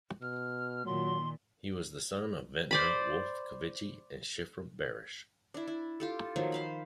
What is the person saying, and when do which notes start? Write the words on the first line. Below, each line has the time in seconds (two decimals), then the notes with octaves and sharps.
He was the son of vintner Wolf Covici and Schifra Barish.
0.21 B2 F6
0.86 A#2 D#3 F#3 C6
2.71 C5 D5 B5
5.54 D4 E4
5.67 E4
6.00 F4 G4 A4
6.36 D#3 F3 F#3 A#3
6.52 C5 F5 B5